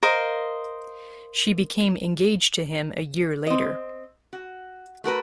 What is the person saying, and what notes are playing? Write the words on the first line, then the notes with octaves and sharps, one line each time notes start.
She became engaged to him a year later.
A#4 C5 D#5 F5
C4 D#5
F#4
A3 F#4 A#4 B4